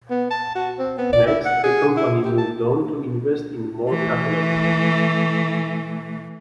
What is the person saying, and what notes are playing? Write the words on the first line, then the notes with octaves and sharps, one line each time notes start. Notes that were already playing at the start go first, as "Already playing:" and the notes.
Next, the company moved on to invest in more catalogs.
B3
A5
F#4
C4
B3
D5
E4
F#5
G#4
E4
G4
A5
E3 A3